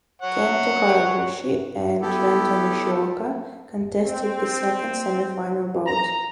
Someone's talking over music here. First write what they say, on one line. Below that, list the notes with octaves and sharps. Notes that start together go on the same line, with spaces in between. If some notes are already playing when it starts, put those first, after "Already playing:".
Kento Haraguchi and Renta Nishioka contested the second semifinal bout.
C#5 F#5
B3 E4 G4 A4
C4
A#5